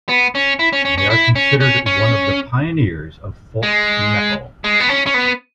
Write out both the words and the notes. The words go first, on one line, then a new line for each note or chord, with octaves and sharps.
They are considered one of the pioneers of folk metal.
B3
C#4
E4
C#4
C#4
C#4
E4
C#4
C#4
C#4
G#3
G#3
B3
C#4
C#4
B3